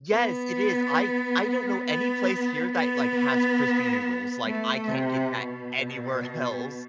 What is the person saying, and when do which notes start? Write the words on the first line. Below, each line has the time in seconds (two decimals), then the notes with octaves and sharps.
Yes, it is. I I don't know any place here that, like, has crispy noodles, like, I can't get that anywhere else.
0.13 B3
1.85 B3
2.72 B3
4.45 A3
4.88 C3
5.32 B2